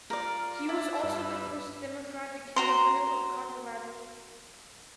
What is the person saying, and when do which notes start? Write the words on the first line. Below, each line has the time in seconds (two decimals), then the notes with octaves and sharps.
He was also the first Democratic governor of Colorado.
0.10 F4 A#4 D5
0.69 E4 D5 A5 E6
1.03 G2 B4 E6
2.56 F#4 A#5 C6